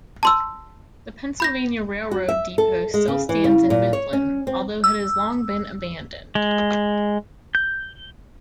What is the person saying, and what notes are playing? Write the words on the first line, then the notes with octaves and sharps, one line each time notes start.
The Pennsylvania Railroad depot still stands in Mifflin, although it has long been abandoned.
A5 C6 E6
B5 G6 A#6
F#4
E5
A4
G#3
C#3
E3
C#3
A#2
C#5
C#4
C4
E6
G#3
G6